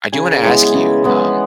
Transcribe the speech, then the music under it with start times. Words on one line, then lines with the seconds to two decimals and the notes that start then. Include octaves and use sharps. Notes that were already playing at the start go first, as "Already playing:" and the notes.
I do wanna ask you, um,
0.12 C#3 G#5
0.43 E3 G#3 B3
0.74 C#3
1.04 E3 G#3 B3